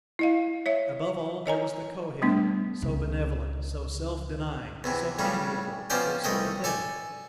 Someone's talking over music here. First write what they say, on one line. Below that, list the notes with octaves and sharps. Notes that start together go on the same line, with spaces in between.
Above all, there was the Kohen, so benevolent, so self-denying, so amiable, so sympathetic.
E4 D#5 F5
C#5 E5
C#5 D#5 G#5 A#5
G3 A3 B3 D4
C#2 C#3
E2 C3 E3
A2 C#3 G3
B2 F3 C#4 C5 D5 G5
C2 A3 D#5 G5
A4 D5 G#5